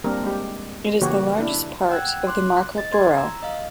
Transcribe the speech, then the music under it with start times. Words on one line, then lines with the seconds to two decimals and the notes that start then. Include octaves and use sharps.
It is the largest part of the Marka borough.
0.04 G3 A#3 C4 D4 A#4
0.23 G#3 G4
1.01 C#3 E3 A#3 F#4 G4 C#5
1.39 D4 E4
1.89 F#5 G5 E6 F#6 G#6
2.27 C6 D6 F#6
2.77 D#5 A6
2.92 C6 G#6
3.15 A#5 E6
3.43 D#5 F5